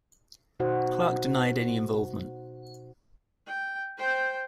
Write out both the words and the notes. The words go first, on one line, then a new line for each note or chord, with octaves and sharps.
Clark denied any involvement.
B2 D#4 F#4 C5 F#5
G5
C5 G5